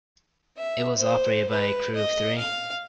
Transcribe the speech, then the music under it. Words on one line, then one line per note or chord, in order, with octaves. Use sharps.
It was operated by a crew of three.
E5
C5
B4
D#5
F5